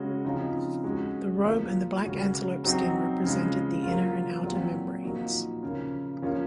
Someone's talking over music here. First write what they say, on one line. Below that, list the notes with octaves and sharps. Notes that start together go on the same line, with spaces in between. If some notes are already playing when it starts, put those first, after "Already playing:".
The robe and the black antelope skin represented the inner and outer membranes.
Already playing: C#3 G#3 C#4 F#4
C#3 F3 C4 D#4
G#3 C#4 F#4
A#2 F3 A#3
C#3 G#3 C#4 F#4
F#3 C4 D#4 F#4
C#3 F3 G#3
F#3 A#3 F4
A#2 F#3 C4
A#2 F3 A#3 D#4 F#4
C#3 F3 A#3
F3 A#3 C#4 F4